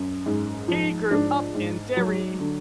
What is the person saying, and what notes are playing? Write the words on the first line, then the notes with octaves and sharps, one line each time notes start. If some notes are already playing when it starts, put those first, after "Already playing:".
He grew up in Derry.
Already playing: F#2
G#2
F3
G#2 D4
G#2
F#3
D3